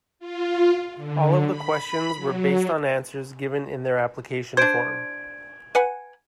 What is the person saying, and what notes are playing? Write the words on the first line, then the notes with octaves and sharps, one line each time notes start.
All of the questions were based on answers given in their application form.
F4
D3
B5
F#3
D4 C5 G#6 D7
B4 F#5 G#5